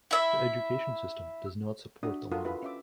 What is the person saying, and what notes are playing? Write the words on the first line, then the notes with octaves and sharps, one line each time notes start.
The education system does not support the language.
E4 E5
D4 F#4 E5 D#6
F4 F#4 A4 A#4 F5 D#6
E4 F4 G4 B4 E5 B5
C#4 E5 D6